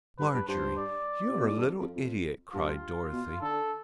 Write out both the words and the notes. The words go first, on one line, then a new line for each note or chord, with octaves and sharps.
"Marjorie, you're a little idiot," cried Dorothy.
G2 B4
G2
G2 C5
D5
C3
B2
A2
G2
F2
F2
F2
G2 F4
B2
D3 A4